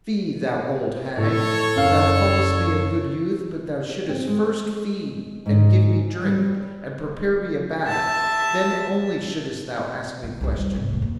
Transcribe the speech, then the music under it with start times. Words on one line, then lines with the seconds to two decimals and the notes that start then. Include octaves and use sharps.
"Fie, thou old hag! thou call'st me a good youth, but thou shouldst first feed and give me drink, and prepare me a bath, then only shouldst thou ask me questions."
1.17 A2 A4 C#5
1.76 F#1 F5
4.09 C4
4.28 G#3
5.46 G#2
6.23 G3
7.87 E5 A5
10.23 C#3
10.41 C2 F2
10.56 G3 F4
10.74 G#1 C3
10.89 D2 G2
11.02 A#3